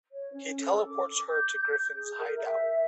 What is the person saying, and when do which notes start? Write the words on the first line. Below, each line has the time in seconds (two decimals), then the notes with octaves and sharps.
He teleports her to Griffin's hideout.
0.12 C#5
0.33 C#4
0.60 A4
0.87 D6
1.30 G6
1.94 G#4
2.19 A#4
2.36 E5